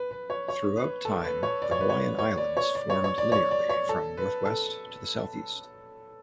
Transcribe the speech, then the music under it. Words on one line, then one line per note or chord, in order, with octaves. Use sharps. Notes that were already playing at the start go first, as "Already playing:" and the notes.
Throughout time, the Hawaiian Islands formed linearly from northwest to the southeast.
Already playing: B4
B4
C#5
C#5
B4
A4
B4
C#5
D5
C#5
B4
C#5
C#5
D5
C#5
D5
C#5
C#5
D5
C#5
D5
C#5
A4
B4
A4